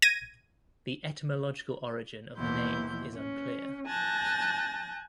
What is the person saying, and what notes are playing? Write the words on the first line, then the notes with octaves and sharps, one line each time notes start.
The etymological origin of the name is unclear.
G#6 A#6 D#7
D#2 B2 E3 E4 C6 G6
C#4
G#5 A5 F#6 G6 A6 A#6